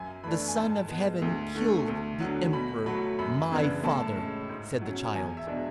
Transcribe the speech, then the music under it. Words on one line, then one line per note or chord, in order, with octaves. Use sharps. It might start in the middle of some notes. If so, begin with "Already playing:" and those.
"The Son of Heaven killed the emperor, my father," said the child.
Already playing: F#2 G#5
E3 A3 D4 B5
G#5
G#2 A5
G#3 B3
D2
D3 A3
D2
D3 F#3
B2 B5
F#3 A3 B5
F#2 B5
C#3 E3 B3 D4
A2 A5
G#3 C#4
G#2
F#3 C#4
E2 G#5
E5
B2 G#3 D4